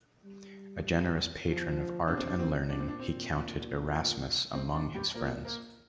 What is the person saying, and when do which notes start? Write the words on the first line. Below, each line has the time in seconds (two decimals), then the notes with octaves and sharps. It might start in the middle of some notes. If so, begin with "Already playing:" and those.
A generous patron of art and learning, he counted Erasmus among his friends.
0.24 G3
1.47 F3
2.08 C3 D4
2.17 C4
2.27 D4
2.39 C4
2.69 A#2 D4
2.79 C4
2.88 D4
3.00 C4
4.54 C4
4.74 D4
4.94 G3 G4
5.14 A#2 A#3 A#4
5.45 A#3 A#4